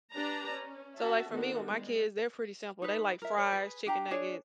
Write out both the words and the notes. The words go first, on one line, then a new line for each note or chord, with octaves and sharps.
So, like, for me, with my kids, they're pretty simple. They like fries, chicken nugget,
D4 G4 B4 D5 A5 A#5
C#4
F#4 E5 A5
D#3 B3 D4 D#4 F#4 A4
G3 G#3
D#4 B4
A#4 E5
A#4 C#5
G#4 B4
D4 G4 A#5
D4 G#4 C#5 D5